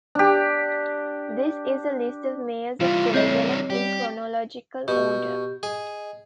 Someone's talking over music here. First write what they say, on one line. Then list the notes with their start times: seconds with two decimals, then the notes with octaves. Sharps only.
This is a "list of mayors of Jerusalem" in chronological order.
0.15 D4 G4
2.80 E3 G3 F4
3.14 A2 C4 C#5 D#5
3.70 G3 G4
4.88 B2 G4
5.63 G#4 D#5